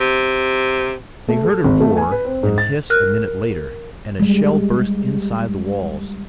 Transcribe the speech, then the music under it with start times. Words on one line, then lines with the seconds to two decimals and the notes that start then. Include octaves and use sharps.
They heard a roar and hiss a minute later, and a shell burst inside the walls.
0.01 C3
1.28 A3
1.44 A4
1.65 G#1
1.80 A3
1.97 G#5
2.11 B4
2.25 C4
2.43 G#2
2.58 A6
2.90 A#4 F6 F#6
4.20 G3 G#3